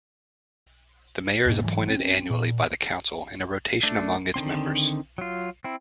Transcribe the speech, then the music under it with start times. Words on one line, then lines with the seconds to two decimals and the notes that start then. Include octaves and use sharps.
The Mayor is appointed annually by the Council in a rotation among its members.
1.46 E1 G#2 B2 A#3
1.64 G#2 E3 F#3
1.88 C4 C#4
2.30 A#2
3.83 A3 D4
4.34 D3 D#3 C4 C6
5.18 F#3 F4
5.64 C4 E4